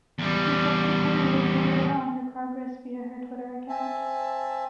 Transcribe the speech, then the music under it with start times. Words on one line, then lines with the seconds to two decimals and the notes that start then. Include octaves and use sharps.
She subsequently reported on her progress via her Twitter account.
0.19 E2 G3
3.69 C4 E5 G#5 A5